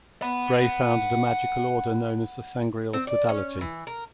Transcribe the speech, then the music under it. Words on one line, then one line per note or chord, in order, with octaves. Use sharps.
Gray founded a magical order known as the Sangreal Sodality.
F#5 B5
C4
D5
C#4
E3
A#4